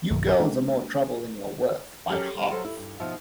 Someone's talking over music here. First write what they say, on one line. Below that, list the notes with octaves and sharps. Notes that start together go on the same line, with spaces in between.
You girls are more trouble than you're worth, by half.
B1 G2 D#3 F#3
G#3 A#3 D4
F#3 C#4 G4 A4 A#4
G3 A#3
F#3 A4 A#4 C5
E4
G2
D#2 B2 F3 D#5 E5